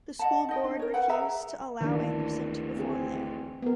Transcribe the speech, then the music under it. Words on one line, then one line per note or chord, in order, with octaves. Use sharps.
The school board refused to allow Anderson to perform there.
D#5 F#5 A5
D#4 D#5 G5
D4
A#4 C#5
B4 F#5 G5
G#4 E5 A#5
D2 D#3 E3 A#3 D4
C4 G#4
B3 A#4